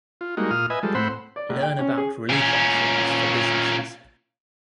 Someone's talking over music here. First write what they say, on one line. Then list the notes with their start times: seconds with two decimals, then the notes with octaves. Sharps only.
Learn about relief options for businesses.
0.21 F4
0.37 G3 G#3 A#3 D#4 F#4
0.51 A#2 F4 D#6 F6
0.70 B4 D#5 E5 G#5
0.83 F3 G3 G#3 A4
0.95 A2 C4 C5 F#5 B5 E6
1.36 D5
1.49 A#1
1.62 G5
1.79 C#4
1.98 G#4
2.29 A#2 C#4